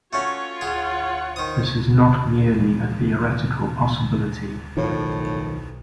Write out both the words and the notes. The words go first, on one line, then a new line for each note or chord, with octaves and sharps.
This is not merely a theoretical possibility.
A3 C#4 F4 F#4 C#5
G#4 F#5
D#3 C5 D#6
A#2 E3 F3 G#3
B1 A2 D#3 F3 C#5 F5